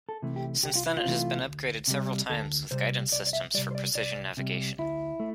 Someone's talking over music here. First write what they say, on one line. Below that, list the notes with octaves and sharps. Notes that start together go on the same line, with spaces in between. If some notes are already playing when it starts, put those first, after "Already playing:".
Since then, it has been upgraded several times with guidance systems for precision navigation.
A4
C3 E3 A3
G4
C2 G4
F4
E4
F4
C3 E3 A3
D2
C3 G3
D2 A4
C3 G3 C5
C2 D5
D5
E5
C3 G3 D5
C5
D5
C2 D5
C3 G3
D2 E4
A3